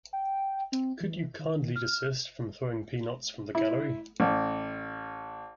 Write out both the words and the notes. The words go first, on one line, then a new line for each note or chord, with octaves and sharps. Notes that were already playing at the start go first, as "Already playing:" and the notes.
Could you kindly desist from throwing peanuts from the gallery?
G5
C4
E3
D#3
F6
E4
A1